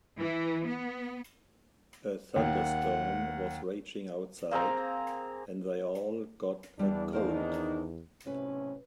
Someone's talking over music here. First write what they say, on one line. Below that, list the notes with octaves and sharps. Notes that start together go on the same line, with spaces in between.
A thunderstorm was raging outside and they all got a cold.
E3
B3
D#2 F#5
A#3 C4 G#4 A#5
E2 G3 D4 E4
D#3 D4 D#4 A#4 C5 F5
B1 A2 C3 C#4 B4